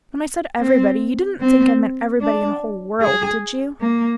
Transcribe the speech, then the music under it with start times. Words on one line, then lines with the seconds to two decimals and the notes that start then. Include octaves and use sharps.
When I said everybody, you didn't think I meant everybody in the whole world, did you?
0.61 C4
1.40 C4
2.21 D4
3.01 G#4
3.81 A#3